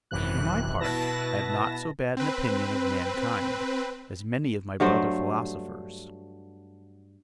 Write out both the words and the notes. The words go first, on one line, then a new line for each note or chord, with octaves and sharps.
For my part, I have not so bad an opinion of mankind as many of my brother philosophers.
G#1 F#2 C3 E3 F#6
B2 E4 B4 A5 A#6
C4 B4
G2 F#3 A3 C5